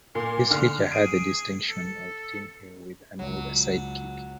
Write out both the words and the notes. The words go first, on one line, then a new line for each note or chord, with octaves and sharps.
This feature had the distinction of a teen hero with an older sidekick.
A#2 C6
D3 F6
G#4 D7 D#7
A4
C#2 F#3